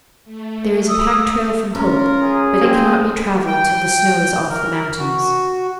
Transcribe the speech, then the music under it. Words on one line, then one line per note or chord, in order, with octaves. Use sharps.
There is a pack-trail from Hope, but it cannot be travelled till the snow is off the mountains.
A3
D#6 E6
C#4 F4 A#4
G#4
A#3 C4
G5
A#4
F#4